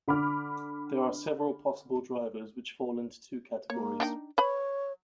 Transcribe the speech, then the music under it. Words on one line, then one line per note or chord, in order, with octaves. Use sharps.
There are several possible drivers, which fall into two categories.
D3 B5 D6 F6
A#3 C#5
D4 D#4 G5
B4 C#5 B5